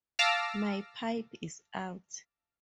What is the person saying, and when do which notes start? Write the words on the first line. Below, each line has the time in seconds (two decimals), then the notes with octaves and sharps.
My pipe is out.
0.19 F5 A5 D6 E6 F6 A#6